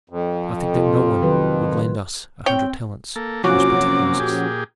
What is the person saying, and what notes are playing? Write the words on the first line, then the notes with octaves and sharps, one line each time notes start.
"I think that no one would lend us a hundred talents," whispered Tutmosis.
F2
C3 F4
D#3 F#3 B4
C4 C#5 G5
A#3 A4
C3 F3 F#3 A#3 C#4 F#4 D6
A#2 G4 G#4